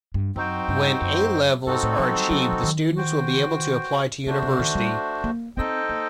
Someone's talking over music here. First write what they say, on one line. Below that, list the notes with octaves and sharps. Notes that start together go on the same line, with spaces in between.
When A levels are achieved the students will be able to apply to university.
G2
F#2 C4 D#4 F#4 C5 G5
G2
F#2
G2 C4 D#4 F#4 A4
A2
F#3
G3
F#3
F#3
D#3
F#4 C5 G5
D3 A3 D4 F#4 C5
C3
D#3
G3
A#3
C4 D#4 A4 C5 D#5 G5
A#3